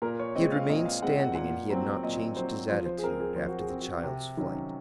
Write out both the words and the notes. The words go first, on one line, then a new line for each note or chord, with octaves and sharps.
He had remained standing and had not changed his attitude after the child's flight.
A#2 A#4
C#5
G#3 C4 D#5
F5
A#2 D#5
F5
G#3 C4 F#5
F#5
A#2 F#5
F#3 C4
A#2 D#5
F#3 C4 C5
F3 C5
C5
G#4
C4 A#4
G#4
F3 C5
F#4
G#4
C4
F#4
C3
D#3 F#3 C#4